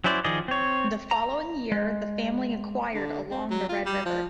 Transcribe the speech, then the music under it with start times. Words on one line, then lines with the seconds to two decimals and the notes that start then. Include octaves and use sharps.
The following year the family acquired along the Red River.
0.04 F#3 C#4 E4 C5 D5
0.24 D#3 F3 G#4 D5 D#5
0.48 C4 C#5
1.11 A#5
1.72 G#3
2.94 D3
3.31 C4
3.50 F#3
3.69 F4
3.86 G3
4.06 F3